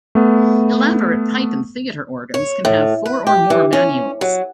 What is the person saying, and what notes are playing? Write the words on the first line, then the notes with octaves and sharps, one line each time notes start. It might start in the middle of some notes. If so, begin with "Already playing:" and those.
Elaborate pipe and theater organs can have four or more manuals.
A3 B3
C#5
A2
B4
G4
E3
C#4
F#3